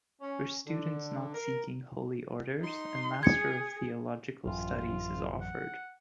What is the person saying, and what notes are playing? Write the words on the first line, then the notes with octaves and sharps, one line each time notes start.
For students not seeking Holy Orders, a Master of Theological Studies is offered.
C#4
D3
A#4
D#4 C6
G#4 G#6 C#7
A1 F#2 F4
F#5